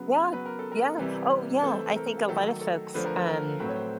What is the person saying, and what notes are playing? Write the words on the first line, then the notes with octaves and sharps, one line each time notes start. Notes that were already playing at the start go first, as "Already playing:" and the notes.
Yeah. Yeah. Oh, yeah, I think a lot of folks, um,
Already playing: C#3 F#3 B3 B4
C#3 F#3 B3 B4
A#4
A4
A#4
C3 E3 G3
E3 A3 C4 A4
A#4
D#3 F#3 A3 A4
A4
D3 F3 A3 B4
A#4
A4
A#4
A2 F#3 A3 C4 B4
C#5
C5